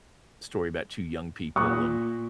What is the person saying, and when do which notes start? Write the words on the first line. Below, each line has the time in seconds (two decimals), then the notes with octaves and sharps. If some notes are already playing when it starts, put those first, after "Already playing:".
story about two young people, and
1.56 A#2 C#6 D#6 F#6